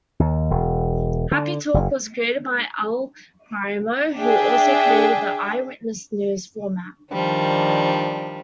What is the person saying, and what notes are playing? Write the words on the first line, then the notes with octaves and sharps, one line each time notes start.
Happy Talk was created by Al Primo, who also created the "Eyewitness News" format.
D#2
E1
D3
F#1
D4 G#4 E5 G5
D#3 F3 G3 D4